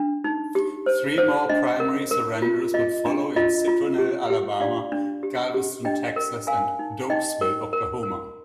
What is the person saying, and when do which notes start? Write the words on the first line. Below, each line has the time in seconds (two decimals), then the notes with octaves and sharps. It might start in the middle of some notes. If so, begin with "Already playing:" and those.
Three more primary surrenders would follow in Citronelle, Alabama; Galveston, Texas; and Doaksville, Oklahoma.
Already playing: D4
0.24 D#4
0.55 G4
0.86 C5
1.18 C5
1.49 D4 D#5
1.80 A#4
2.11 A#4
2.42 F4
2.74 F4 D#5
3.06 D4
3.36 F4 D#5
3.68 F4
3.99 G4
4.30 G4
4.60 D4 D5 F5
4.92 D4
5.23 G4
5.54 G4
5.85 D4 D#5 G5
6.16 A#4
6.47 A#4 F5 G#5
6.79 D#4
7.10 D#4 D#5 G5
7.41 A#4
7.73 A#4
8.03 A#4